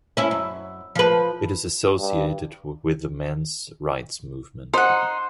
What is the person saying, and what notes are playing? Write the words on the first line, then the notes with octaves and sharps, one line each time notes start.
It is associated with the men's rights movement.
C#4 E4
F#2
F3 B4
G2
D#4 C5 F#5